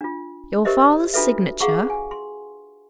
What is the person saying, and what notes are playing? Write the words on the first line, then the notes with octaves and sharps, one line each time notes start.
"Your father's signature?"
D4 F4
G4 A#4 C5 D#5 E5
D4 F4 F#4 A4 B4 E5
G#4 F5 F#5 A#5 C#6
G#5
C6